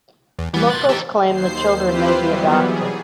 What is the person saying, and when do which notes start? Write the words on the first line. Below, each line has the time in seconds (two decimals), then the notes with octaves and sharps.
Locals claim the children may be adopted.
0.39 E2
0.54 E3 G3 B3
0.70 C3 B3 F#6 A6
0.89 E3 D#4 G4 A5
1.25 D#2 C5 C7
1.85 C4 E4 F4 G4 B4 C5
2.16 E3 F#3 G3 B3
2.62 G#4